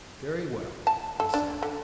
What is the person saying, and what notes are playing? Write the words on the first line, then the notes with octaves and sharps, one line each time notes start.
"Very well," I said.
A5
A4
D4
D3